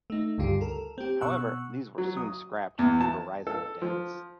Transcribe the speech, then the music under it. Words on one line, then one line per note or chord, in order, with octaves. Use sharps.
However, these were soon scrapped due to rising debts.
A3 D#4
C#2 G2 D3 G3 F4 G4
A4 A#4
C4 G4
B2 C#6 E6 F#6
F#3
D#6
E2
A5
A4
F3